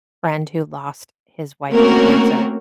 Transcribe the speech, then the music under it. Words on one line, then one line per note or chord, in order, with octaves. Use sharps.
friend who lost his wife to cancer,
A3 A#3 C4 C#4 F#4 A#4